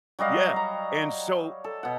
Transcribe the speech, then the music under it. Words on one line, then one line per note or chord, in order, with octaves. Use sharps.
Yeah, and so,
F#3 G3 D#5 F5
A#5
A4
B2 F#5